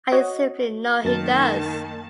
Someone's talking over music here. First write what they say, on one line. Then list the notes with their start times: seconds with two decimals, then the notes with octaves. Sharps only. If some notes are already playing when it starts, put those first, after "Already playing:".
I simply know he does.
0.12 F#4 C#5 D#5
1.05 F#2 D#3 A#3 A5 A6